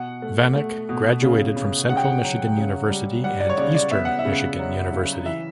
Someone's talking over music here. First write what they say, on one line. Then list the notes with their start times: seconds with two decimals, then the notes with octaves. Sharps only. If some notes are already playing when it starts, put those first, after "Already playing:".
Vanek graduated from Central Michigan University and Eastern Michigan University.
Already playing: B2 F#5
0.22 A3
0.56 A3
0.89 B2
1.22 C#3
1.56 C#3
1.89 C#3 F#5
1.97 G5
2.04 F#5
2.24 F#3
2.57 C#3
2.90 G3
3.24 G3 F#5
3.40 D5
3.49 C#5
3.58 C#3 D5
3.75 D5
3.91 B3 E5
4.05 F#5
4.19 E5
4.25 C#3
4.59 F#3
4.93 C#3
5.25 E3 E5